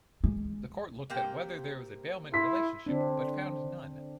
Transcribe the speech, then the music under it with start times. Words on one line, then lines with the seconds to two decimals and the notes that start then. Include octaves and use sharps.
The Court looked at whether there was a bailment relationship but found none.
0.24 G#3
1.10 C3 A#3 G5
2.33 E4 C6 B6
2.87 D3 C4 D4